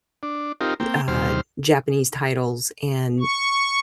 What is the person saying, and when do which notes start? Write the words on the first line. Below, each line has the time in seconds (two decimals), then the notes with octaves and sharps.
uh, Japanese titles and
0.23 D4
0.61 C4 D#4 F4 G4 A#4
0.80 A#3 C4 G5
1.08 D#2 C3 G3 C5 F6
3.20 C#6